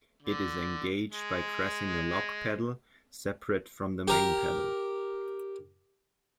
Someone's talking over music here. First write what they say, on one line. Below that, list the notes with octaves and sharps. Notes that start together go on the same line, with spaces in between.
It is engaged by pressing a lock pedal separate from the main pedal.
D3
G#3
G4 A#4